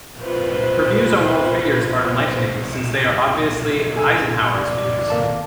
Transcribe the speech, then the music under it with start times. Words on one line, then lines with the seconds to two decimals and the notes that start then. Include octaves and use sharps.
Her views on world figures are enlightening, since they are obviously Eisenhower's views.
0.21 F4 B4 C5
3.96 A4 G#5 E6
4.48 D5
5.10 G#1 A#3 A5